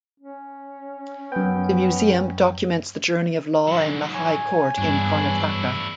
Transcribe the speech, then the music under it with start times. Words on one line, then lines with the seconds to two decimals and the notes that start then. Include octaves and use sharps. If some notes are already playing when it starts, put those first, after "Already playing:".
The museum documents the journey of law and the high court in Karnataka.
0.20 C#4
1.32 F#2 B3 G5
3.67 G#2 F#3
4.14 C#5 G#5
4.78 E2 G2 D4 E4